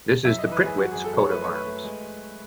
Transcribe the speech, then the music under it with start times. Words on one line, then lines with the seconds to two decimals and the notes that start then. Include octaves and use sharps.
This is the Prittwitz coat of arms.
0.25 F#2 E5
0.39 D#5
0.43 E3
0.52 B4
0.60 G#1
0.65 G#4
0.78 F#2 F#4
0.92 F#2 G#4
1.04 A4
1.14 F#2 C#5
1.31 A3 B4
1.44 C#5
1.49 A3
1.55 B4
1.67 A3
1.84 G#3